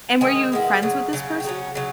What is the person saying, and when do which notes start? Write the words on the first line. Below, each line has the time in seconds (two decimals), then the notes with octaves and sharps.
And were you friends with this person?
0.21 D#3 G#3 G#5
0.52 D#3 G#3 B3 E4
0.82 C#3 F#3
1.13 C#3 F#3
1.40 G5
1.44 C#3 F#3 C#4
1.75 C#3 F#3